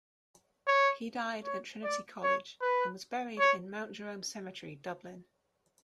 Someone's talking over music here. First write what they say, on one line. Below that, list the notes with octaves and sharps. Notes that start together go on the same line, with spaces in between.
He died at Trinity college and was buried in Mount Jerome cemetery, Dublin.
C#5
C#5
D5
C#5
B4
C#5